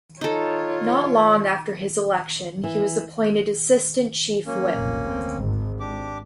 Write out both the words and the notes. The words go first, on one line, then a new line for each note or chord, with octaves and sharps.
Not long after his election he was appointed assistant Chief Whip.
D#4 F4 A4 C#5
E3
F#3 A#3 C#4
F1 B1 A#2
D2 C4
G#1
D4 G4 D6